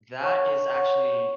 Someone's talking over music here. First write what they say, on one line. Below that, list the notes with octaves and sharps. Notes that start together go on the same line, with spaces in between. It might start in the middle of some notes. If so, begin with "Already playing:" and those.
that is actually
C#5 F#5 C#6
C#5 F#5 C#6